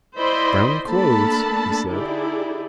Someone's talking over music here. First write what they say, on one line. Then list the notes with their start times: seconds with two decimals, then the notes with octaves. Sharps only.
"Brown clothes?" he said.
0.17 E4 C5 D5 D#5 B5 C6
0.85 A3 A#3 D4 A4 A5 B5
1.89 D3 D#4 E4 G4 G#4 D5